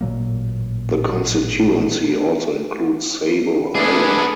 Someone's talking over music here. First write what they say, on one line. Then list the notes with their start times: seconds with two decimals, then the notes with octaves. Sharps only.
The constituency also includes Sable Island.
0.01 A1 A#2 F#3 A#3
3.75 G#3 A3 B3 D4 G#4 B4